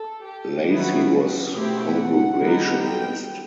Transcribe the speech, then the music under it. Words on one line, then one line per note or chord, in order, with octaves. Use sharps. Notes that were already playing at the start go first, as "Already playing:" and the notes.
Lacy was Congregationalist.
Already playing: A4
G4
D#3 F#3 B3 E4 F#4
F#4
B2 A3 C4 E4 G4
F#5
D#3 G3 B3 D#4
G5